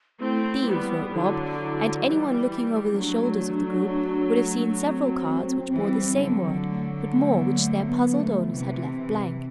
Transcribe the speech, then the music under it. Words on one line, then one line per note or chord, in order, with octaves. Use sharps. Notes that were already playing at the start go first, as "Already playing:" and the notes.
"Thieves" wrote Rob, and any one looking over the shoulders of the group would have seen several cards which bore the same word, but more which their puzzled owners had left blank.
A3 C4 E4
G3 B3 E4
D3 F#3 E4
E3 G3
C4
F#3 A3 D4
C4
E3 G3
D3 F#3
A3
A3
B3
A3
B3
A3
C3 E3
C4
C4